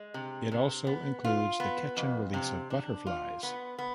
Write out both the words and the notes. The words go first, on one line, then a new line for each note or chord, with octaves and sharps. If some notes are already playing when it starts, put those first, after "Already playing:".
It also includes the "catch and release" of butterflies.
Already playing: G#3
C3
C3
B3
F4
B3
F2
C3
D4
F4
B3
B3